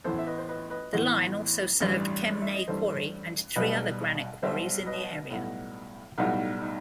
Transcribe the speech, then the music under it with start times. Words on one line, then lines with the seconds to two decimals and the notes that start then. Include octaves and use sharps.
The line also served Kemnay Quarry and three other granite quarries in the area.
0.04 A1 A2 E3 B3 A4 C5
0.19 E5
0.26 B4 D#5
0.38 C5
0.49 B4 D#5
0.70 B4 D#5
0.93 A1 A2 E3 B3
1.80 A1 G2 E3 G3
2.42 E5
2.54 D#5
2.68 A1 G2 E3 G3 A4 C5
3.56 B1 B2 G3 B4 D#5
4.43 B1 B2 G3 C5 E5
4.86 B4 D#5
5.30 B1 A2 G3 B3
6.18 B1 A2 G3 B3 D#4 F#4
6.61 D#4